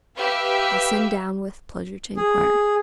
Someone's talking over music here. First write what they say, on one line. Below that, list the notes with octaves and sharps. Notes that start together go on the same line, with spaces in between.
I'll send down with pleasure to enquire.'
G4 B4 E5 F5
G#4